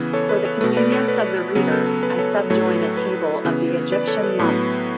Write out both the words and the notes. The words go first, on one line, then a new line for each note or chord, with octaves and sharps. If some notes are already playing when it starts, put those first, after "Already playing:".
For the convenience of the reader, I subjoin a table of the Egyptian months.
Already playing: C#3 E3 B3 B4
A4 C#5
B4
A4 C#5
B2 A3 B4
B4 D5
A4 C#5
B4
C#3 F#3 B3 B4
A4
A4
B4
A4 C#5
A2 F#3 A3 A4 C#5
B4
A4
B4
C#3 E3 B3
B4 D5
A4 C#5
B4
A2 F#3 B3